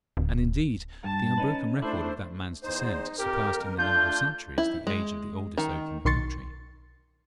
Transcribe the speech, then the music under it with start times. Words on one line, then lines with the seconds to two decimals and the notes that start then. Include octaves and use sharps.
And indeed the unbroken record of that man's descent surpassed in the number of centuries the age of the oldest oak in the country.
0.17 D1
1.04 G2 A5
1.38 C#4 D#4 B4
1.82 A3 D4 E4 C5
2.64 E2 D#4 C5
3.18 F2 G4 A#4
3.78 A3 D4 F4 G6
4.58 E4
4.87 G#3
5.58 D#3
6.05 B1 D#3 C6 C#6 A6